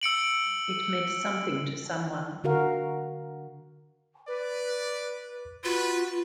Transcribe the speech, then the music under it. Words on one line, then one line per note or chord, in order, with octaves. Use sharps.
It meant something to someone.
E6 C#7 D7 F#7
D3 F#4 A#4 F5
B4 D5
F4 F#4 B4